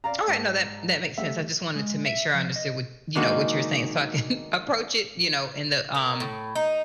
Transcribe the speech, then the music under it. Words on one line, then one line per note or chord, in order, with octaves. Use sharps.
Alright, no, that that makes sense. I just wanted to make sure I understood what you know, what you're saying so I can approach it in the, um,
D5 F5 A#5
G#2 A5
G3 A3 E5
G#3
E5
F3
D#5
D#3 G#3 A#3 D4 D#4 F#4
A#4
A2
D#4